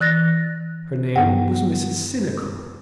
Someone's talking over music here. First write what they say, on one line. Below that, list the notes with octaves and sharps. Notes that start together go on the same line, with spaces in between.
Her name was Mrs. Sinico.
E3 F#6 A6 A#6
G2 B3 F#5 G5